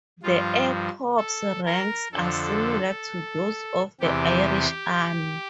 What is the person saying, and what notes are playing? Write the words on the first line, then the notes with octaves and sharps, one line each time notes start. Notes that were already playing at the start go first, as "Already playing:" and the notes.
The Air Corps' ranks are similar to those of the Irish Army.
G2 F3 F4
A4
A#4
F2 D3 F3 A4
E2 C3 E3 G4